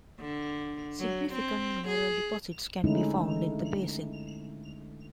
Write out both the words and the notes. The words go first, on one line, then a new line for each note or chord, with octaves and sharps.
Significant mineral deposits can be found in the basin.
D3
F#3
C4
G#4
D3 G#3 A3 C#4 D#4 E4